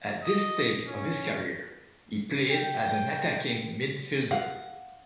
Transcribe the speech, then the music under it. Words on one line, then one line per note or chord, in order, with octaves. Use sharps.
At this stage of his career, he played as an attacking midfielder.
D#5
C#4
G5
F5 F#5